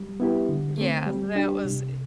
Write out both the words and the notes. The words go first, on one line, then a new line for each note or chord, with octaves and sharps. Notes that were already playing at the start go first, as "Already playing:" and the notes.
Yeah, that was, i
Already playing: G3
B3 E4 G4
D3
A3 C4
G3
D4 G4
C3